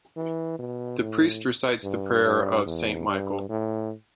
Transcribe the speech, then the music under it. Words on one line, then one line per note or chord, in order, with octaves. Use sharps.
The priest recites the prayer of Saint Michael.
E3
B2
A2
G2
G2
E2
G2
A2